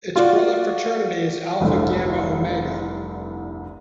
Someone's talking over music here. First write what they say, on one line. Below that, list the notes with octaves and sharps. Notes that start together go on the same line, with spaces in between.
Its brother fraternity is Alpha Gamma Omega.
F4 F#4 D5
F1 C2 G2 D3